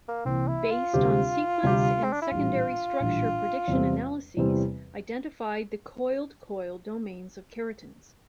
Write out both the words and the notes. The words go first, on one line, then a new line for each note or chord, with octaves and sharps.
Based on sequence and secondary structure prediction analyses identified the coiled-coil domains of keratins.
A#3
C2 C3 E3 A#3 C4
E4
F4
D2 C3 G3 C4 G4
D2 C3 G3 C4 G4
C4
D4
E4
A#1 A2 E3 G3 F4
A#1 A2 E3 G3
E2 C3 E3 G3 C4
E2 C3 E3 G3 C4